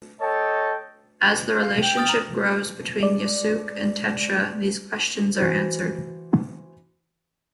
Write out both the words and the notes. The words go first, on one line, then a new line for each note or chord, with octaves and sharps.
As the relationship grows between Yusuke and Tetra, these questions are answered.
A4 C#5 D#5 G5 A5
F5
G5
D#6 F6 A6
A#5
G#3 D5
E3 F#4 C5